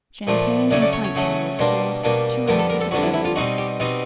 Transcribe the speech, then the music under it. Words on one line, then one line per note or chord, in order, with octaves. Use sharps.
Champagne in pint bottles sold at two ounces of gold.
A#2 F3 A3 D4
C#3 F#3 A3 C#4 D5
D5
C#5
C#5
C#3 F#3 A3 C#4
B2 G3 A#3 D4 C5
B2 G3 A#3 D4
F2 D3 G3 B3 D4 A#4
A4
A#4
A4
F2 D3 G3 B3 D4 F#4
E4
E4
F4
B2 G3 C4 D#4 F#4
G4
B2 G3 C4 D#4